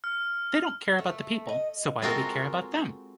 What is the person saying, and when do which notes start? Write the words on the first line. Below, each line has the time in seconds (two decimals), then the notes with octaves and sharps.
They don't care about the people, so why do we care about them?
0.04 F6
0.99 A3
1.49 D#5
2.02 G#3 C4 F4 F#4 A4 A#4